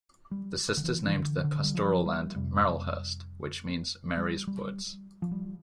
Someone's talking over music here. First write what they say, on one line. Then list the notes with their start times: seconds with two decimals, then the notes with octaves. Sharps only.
The Sisters named the pastoral land Marylhurst, which means "Mary's Woods".
0.31 G3
0.77 D3
0.84 E3
1.07 E3
1.15 D3
1.44 D3
1.64 G3
1.75 F3
2.06 G3
2.35 F2 C3 G3
4.18 G3
4.47 G3
5.22 F3
5.31 G3